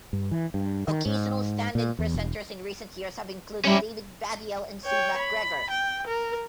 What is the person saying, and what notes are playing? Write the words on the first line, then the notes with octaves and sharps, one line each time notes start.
Occasional stand-in presenters in recent years have included David Baddiel and Sue MacGregor.
G2
E3
G2
D#3
G#2
A#2
E2
E1
G3 C#4 E4
C#5 G5
B5
G5
A#4